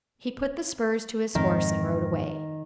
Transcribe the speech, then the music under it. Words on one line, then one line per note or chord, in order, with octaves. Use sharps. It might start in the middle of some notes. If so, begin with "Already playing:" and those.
He put the spurs to his horse and rode away.
F2 G#2 D#3 C4